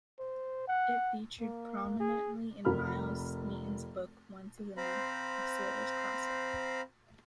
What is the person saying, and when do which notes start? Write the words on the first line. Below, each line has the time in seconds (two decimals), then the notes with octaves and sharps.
It featured prominently in Miles Smeeton's book "Once Is Enough", a sailor's classic.
0.19 C5
0.68 F#5
1.41 A#3
2.00 G#4
2.65 F1 A#4 B5 F6
4.77 C4 C5 F5 A#5 B5